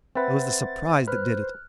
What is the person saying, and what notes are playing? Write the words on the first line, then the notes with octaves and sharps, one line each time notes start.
It was the surprise that did it.
C4 B4 C5 E5 F#5 A6
B4 C5 F6 F#6